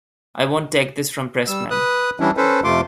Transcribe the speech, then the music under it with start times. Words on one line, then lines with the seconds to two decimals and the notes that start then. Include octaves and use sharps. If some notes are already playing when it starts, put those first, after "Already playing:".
I won't take this from Pressman.
1.48 G3 E6
1.71 B4 D#6 F#6
2.20 E3 G3 C#4 D4 E4
2.37 C#4 A4 B4 C5
2.64 F2 C3 A3 F4 C6 D6